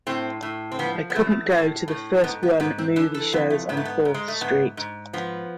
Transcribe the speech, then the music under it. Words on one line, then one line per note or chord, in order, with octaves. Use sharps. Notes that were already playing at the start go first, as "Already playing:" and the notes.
I couldn't go to the first-run movie shows on Fourth Street.
A2 C4
A2
C4
F3 B3
B3
E2 A3
A2
A2
G#2 B3
B3
G#2 B3
C4
E3 D4
A4
F2 B3
A3
G#2 B3
A3
B3
G#2
G#3
A3
G#2 B3
G#2
F3 B3